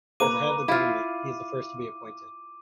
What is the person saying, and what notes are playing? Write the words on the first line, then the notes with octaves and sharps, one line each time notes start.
As the head of government, he is the first to be appointed.
A#3 B4 A#5 D6 D#7
E4 F4 F5